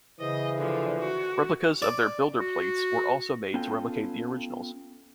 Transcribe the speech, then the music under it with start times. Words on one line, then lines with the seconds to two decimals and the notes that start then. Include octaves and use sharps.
Replicas of their builder plates were also made to replace the originals.
0.20 C#3 E3 C5 D#5
0.58 D3 F3
0.99 F#4
1.82 D5
2.40 F#4
3.54 B3 C#4 F4 A4 G5